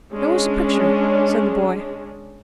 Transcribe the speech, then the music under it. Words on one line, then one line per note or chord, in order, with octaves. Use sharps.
'Show us a picture,' said the boy.
G#3 C#4 D4